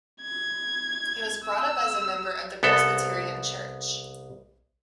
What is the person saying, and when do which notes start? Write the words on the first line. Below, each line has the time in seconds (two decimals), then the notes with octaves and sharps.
He was brought up as a member of the Presbyterian church.
0.23 G#6
1.45 E6
2.63 C2 B3 A4